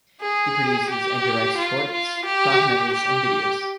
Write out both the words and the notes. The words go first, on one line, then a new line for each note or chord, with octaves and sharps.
He produces and directs shorts, documentaries and videos.
G#4
G4
F4
F4
G4
G4